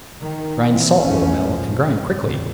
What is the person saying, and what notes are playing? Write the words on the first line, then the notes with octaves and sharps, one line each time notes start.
"Grind salt, Little Mill, and grind quickly!"
D#3
E3 F3 C4
B1 F2 G#2 E3 A3 C#4
C#2 B2 F3
G2
C2 F2 A#2 D3